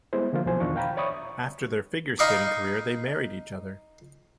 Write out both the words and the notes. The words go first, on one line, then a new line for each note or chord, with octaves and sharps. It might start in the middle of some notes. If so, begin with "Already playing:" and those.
After their figure skating career they married each other.
G3 G#3 B3 E4 C5
D3 F3 A#3 F4
C2 B2 F3 F#3 C5 G#5
E2 D#3 D4 F4 C#6
F5 G5 A#5 B5
C#5 D5 E5 B5 C#6 D#6
D#4 D#5 F5 B5 C#6 D6